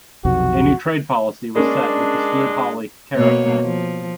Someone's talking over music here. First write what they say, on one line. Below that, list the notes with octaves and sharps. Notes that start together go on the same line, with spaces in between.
A new trade policy was set with the Smoot-Hawley Tariff Act.
B1 F2 C3 F#4
G#3 A#3 C#4 D4
B2 A#3 C#5
F3